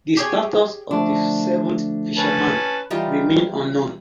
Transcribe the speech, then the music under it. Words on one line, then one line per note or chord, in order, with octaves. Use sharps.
The status of the seventh fisherman remained unknown.
G4 G#4 C#5
D3 F3 A3 D4
C#4 B4 A5
E3 G3 D#4 F4